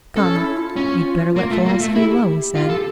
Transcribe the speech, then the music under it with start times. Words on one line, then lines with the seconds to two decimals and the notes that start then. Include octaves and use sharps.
"Come, you'd better let philosophy alone," he said.
0.16 C#4 A4
0.36 E4
0.57 F4
0.76 C#4
1.36 A#3
1.51 A3
1.66 A#3
1.80 A3
1.95 E4 G4
2.03 A4
2.09 G4
2.55 F4
2.70 A4